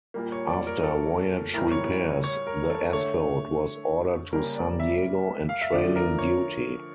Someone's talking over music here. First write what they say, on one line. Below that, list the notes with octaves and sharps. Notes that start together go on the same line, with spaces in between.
After voyage repairs, the S-boat was ordered to San Diego and training duty.
A#2 G3 A#3
C#5
D5
A#4
A4
A2 E3 G3 A#4
C#5
C#5
C#5
A#4
A4
D3 A3 C#5
C#3 G3 A#3 A#4
D5
E5
F5
E5
D3 F3 A3 D5
A#4
C#5